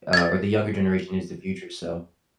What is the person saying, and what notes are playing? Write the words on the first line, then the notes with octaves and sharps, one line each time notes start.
uh, or the younger generation is the future, so
G#6 A6